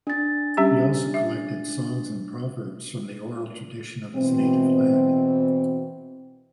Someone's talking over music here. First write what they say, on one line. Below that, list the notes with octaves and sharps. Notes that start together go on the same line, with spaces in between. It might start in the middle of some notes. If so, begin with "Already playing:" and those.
He also collected songs and proverbs from the oral tradition of his native land.
D4 A6
G3 C#4 G4
E5
B2 E3 C4